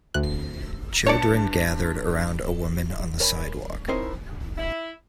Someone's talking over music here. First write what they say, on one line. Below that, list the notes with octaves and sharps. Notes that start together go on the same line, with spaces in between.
Children gathered around a woman on the sidewalk.
D2 F#6
G2 C#5 D5 A5 C#7
A#4 C#5 G#5 B5
C4 D#4 E4 A#4 C5 C#5
E4